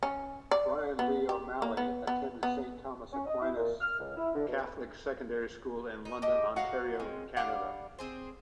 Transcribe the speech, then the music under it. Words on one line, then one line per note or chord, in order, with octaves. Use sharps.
Bryan Lee O'Malley attended Saint Thomas Aquinas Catholic Secondary School in London, Ontario, Canada.
C#4
D5
B3
G4
A#3
B3
B3
B3
C#4
D#5
E4
A#2
F6
C#2
E4
D3
B2
B4
D#4
A2 G4 D#5
F#3 F#4 F5 F#5
G#3 C4 C#4
G3 D4 F5 F#5
C4 G#4 C5